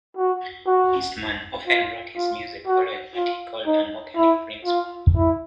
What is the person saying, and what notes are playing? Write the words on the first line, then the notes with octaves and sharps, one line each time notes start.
Eastman often wrote his music following what he called an "organic" principle.
F#4
F#4
F4
F4
F#4
F4
D#4
E4
F4
E4